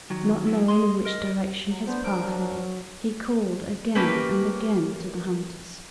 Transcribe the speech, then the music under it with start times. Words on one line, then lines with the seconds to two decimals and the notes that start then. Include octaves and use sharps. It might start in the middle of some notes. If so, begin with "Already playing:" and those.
Not knowing in which direction his path lay, he called again and again to the hunters.
0.10 D#3 F#3
0.47 F#3 E4
0.68 G#4 C6
1.05 A#4 D#5
1.67 F#3
1.87 B3 D4 C5
2.04 F3 D4 A#4 D7
2.27 F#3
3.95 A3 A#3 C#4 G4 A#4 B4